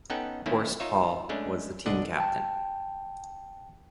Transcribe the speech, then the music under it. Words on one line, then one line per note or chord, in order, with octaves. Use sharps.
Horst Paul was the team captain.
B3 C#4 D#4 A4 F#5 G5
D#3 A3 A#3 C4 C#4 E4
D#4 F4 C#5 E5
G#3 A3 C#4 D4
B1 D3 D4 D#5 F#5
G5 A5